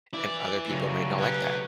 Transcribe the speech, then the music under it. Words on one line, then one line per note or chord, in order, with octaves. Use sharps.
and other people might not like that.
E4 B4 D5
F#2 A2 C#3 F#3 G3
B1 C#4 G4 B4